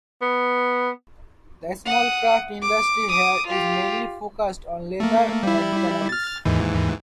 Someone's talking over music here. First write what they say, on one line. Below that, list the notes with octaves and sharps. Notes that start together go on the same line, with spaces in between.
The small craft industry here is mainly focused on leather and tanneries.
B3
F#5 D#6
D6
D6 D#6
F4 G4
A3 A#3
G3 E4
F6 A6
D#2 G#2 E3